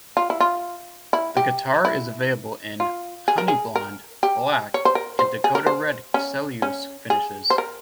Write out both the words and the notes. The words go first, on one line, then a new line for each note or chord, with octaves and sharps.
The guitar is available in 'Honey Blonde', 'Black' and 'Dakota Red' cellulose finishes.
F4
E4
F4
E4
G4
E4
F4
G#4
A#4
G#4
A#4
G4
C#5
C5
A#4
C5
G#4
A#4
C5
C#4
C#4
G#4
C5
A#4